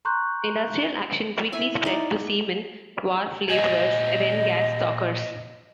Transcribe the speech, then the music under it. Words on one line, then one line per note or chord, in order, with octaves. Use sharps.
Industrial action quickly spread to seamen, wharf labourers, then gas stockers.
A#5 C6 C#6 F#6 G6
E4 E5 G#5
D#4 D5
A#2 G4 D#5 G#5